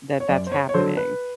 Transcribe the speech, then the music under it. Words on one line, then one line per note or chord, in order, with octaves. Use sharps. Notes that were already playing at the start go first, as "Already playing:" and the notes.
that that's happening,
C#5
F#2 D5
C5
C#5
C#5
D3 F#3 C5
B4